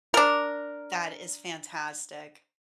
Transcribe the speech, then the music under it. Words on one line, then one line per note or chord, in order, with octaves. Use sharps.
That is fantastic.
D4 A#4